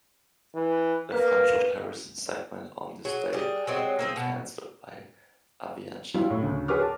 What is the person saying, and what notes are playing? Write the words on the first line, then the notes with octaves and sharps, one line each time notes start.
The Frankfurt-Paris segment on this day had been cancelled by Avianca.
E3
A#3 B4
F#3 G#4
G3 G#4
F#3 G#3 C4
A#3 C4 G#4
B2
F#3 G3 E4 F4
A2
D2 C#3
G#4 B4 C#5 D6 F6
A#4 A5